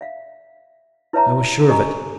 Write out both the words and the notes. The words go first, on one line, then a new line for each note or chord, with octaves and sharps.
I was sure of it.
E5 F5
E4 B4 C#5 E5 A5 A#5
G4 A#4 D#5 G#5 A#5